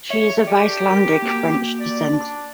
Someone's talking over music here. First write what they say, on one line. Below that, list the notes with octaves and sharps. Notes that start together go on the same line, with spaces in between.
She is of Icelandic-French descent.
C#5 E5
G4 A4 D5
A#4
A#3 F#4
D5
D4